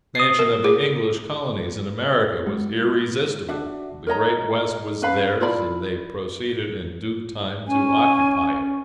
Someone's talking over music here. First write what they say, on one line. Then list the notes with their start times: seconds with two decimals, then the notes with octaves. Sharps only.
The expansion of the English colonies in America was irresistible; the Great West was theirs, and they proceeded in due time to occupy it.
0.15 D#6 C7
0.39 A#4
0.64 G#4
2.47 G#3
3.49 D4 F#4 E5
4.07 A#4 C#5 D#5 A#5
5.02 C#4 B4 F5 B5
5.40 E4 F4 D5 B5
7.67 C#4 G#5